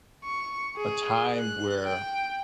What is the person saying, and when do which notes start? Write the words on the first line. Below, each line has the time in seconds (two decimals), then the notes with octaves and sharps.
a time where
0.25 C#6
0.77 G#4
1.38 F#6
1.86 G5